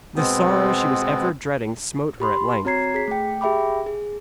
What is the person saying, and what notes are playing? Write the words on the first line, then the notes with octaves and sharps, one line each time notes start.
The sorrow she was ever dreading smote her at length.
B2 G#3 B3 C4
G4 B5 C6
C4 F#4 C#5 A#5 G#6 C7
G#4 B6
A3 G5
G4 G#4 E5 G5 B5 D6
G#4